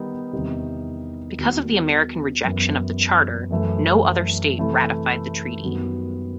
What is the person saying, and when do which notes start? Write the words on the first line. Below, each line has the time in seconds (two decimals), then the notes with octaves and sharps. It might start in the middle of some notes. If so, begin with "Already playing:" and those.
Because of the American rejection of the Charter, no other state ratified the treaty.
Already playing: D#3 G3 B3 D#4
0.33 E2 C3 D#3 G3 D#4
1.38 E2 D#3 G3 D#4 F#4
2.44 F#2 E3 B3
3.50 F#2 E3 A3
4.56 C3 E3 A3 E4
5.62 F#2 D#3 G3 B3 F#4